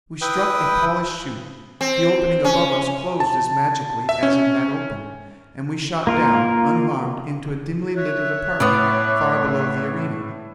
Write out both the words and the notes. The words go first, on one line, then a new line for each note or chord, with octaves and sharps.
We struck a polished chute, the opening above us closed as magically as it had opened, and we shot down, unharmed, into a dimly lighted apartment far below the arena.
E4 B4 G5 D#6
C4
C#4
A5
E5
C#4
A#3 F4 A#4
C#5 E5 F#6
A2 B3 D5